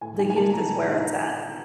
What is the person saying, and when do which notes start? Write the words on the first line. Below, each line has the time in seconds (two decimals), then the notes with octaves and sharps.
The youth is where it's at.
0.01 A2 G#5
0.19 D#4 G#5
0.30 G#5
0.36 A#3 A5
0.53 F3 A#5
0.71 A2
0.88 D#4